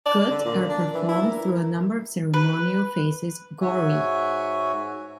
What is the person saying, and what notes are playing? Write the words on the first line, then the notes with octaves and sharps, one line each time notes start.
"Gut" are performed through a number of ceremonial phases, "gori".
D5
D3
A#2
D4
E3
E4
A#4
B4
G#2 F#4 C#5 E5 G#5